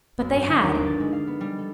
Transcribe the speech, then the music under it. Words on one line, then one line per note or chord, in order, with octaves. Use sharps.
But they had.
F#2
G2
G1
D#2
D6
A6
G#3
F5
B3
G3
A4